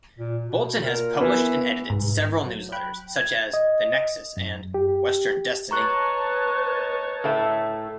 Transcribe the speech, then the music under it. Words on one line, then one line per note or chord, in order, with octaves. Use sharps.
Bolton has published and edited several newsletters such as "The Nexus" and "Western Destiny".
A#2
B2
A#2 A#4
E3 B3
C2 G#2
F#3
G5 B5 F#6
G#6
D#5
F#2
G4
B4 C#5 D#5 A5 A#5 C#6 F#6
A2 A3 E5